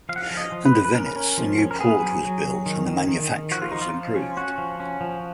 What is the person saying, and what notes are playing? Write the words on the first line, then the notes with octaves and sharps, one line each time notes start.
Under Venice a new port was built and the manufacturers improved.
F3 F5
F#5
F5
F3
D#5
F3
B4
F3
B4
C#4 A#4
C#4
F3
C#4
A#4
B3 G#4
F#3
F#3
F#3
D#3
D#3
D#3
D#3
F3 F#4
F4
F3 D#4
F4
F3
C#4
C#4 F#4
F3
C#4
F3